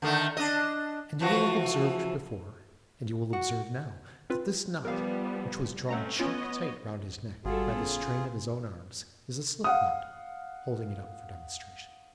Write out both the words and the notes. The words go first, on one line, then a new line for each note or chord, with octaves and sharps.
'And you will have observed before, and you will observe now, that this knot, which was drawn chock-tight round his neck by the strain of his own arms, is a slip-knot': holding it up for demonstration.
D3 D#3 A3
D4 D#5
E3 F3 F#4
F#4
C4 F4 B4
F3 G3 B3 A#4 F5
A3 C4 C#4 F#5 A#5 A#6
B3 C#4 F4 C#5 D#5 D7
G#1 G3 F4 F#4 G#4 A4
C#3 B3
F5 F#5 D#6